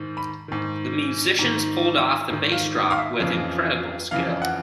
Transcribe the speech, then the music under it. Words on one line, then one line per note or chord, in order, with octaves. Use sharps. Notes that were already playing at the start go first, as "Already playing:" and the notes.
The musicians pulled off the bass drop with incredible skill.
Already playing: G#2 D#3
B5
G#2 D#3
G#2 D#3
G#2 D#3
F5
F5
E5
F2 C#3 E3
F2 C#3 E3 F5
F#5